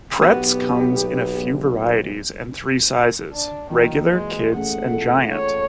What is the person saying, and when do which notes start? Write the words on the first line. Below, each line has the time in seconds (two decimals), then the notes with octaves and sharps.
Pretz comes in a few varieties and three sizes: Regular, Kid's, and Giant.
0.22 B1 B3 F#4 G4
3.33 D4
3.71 D#3 E3 A#3 F#4
4.12 G#3
4.56 A3 C#4 G#4 F#5
4.90 F4 A4
5.32 C#5